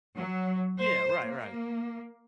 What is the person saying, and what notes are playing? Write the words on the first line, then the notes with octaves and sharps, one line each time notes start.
Yeah. Right, right.
F#3
C5
A#3